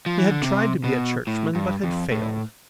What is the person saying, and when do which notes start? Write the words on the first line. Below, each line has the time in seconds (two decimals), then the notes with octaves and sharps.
He had tried to be a churchman but had failed.
0.06 F3
0.18 E3
0.31 D3
0.42 C3
0.84 B2
1.27 A2
1.55 G2
1.84 F2
2.11 A2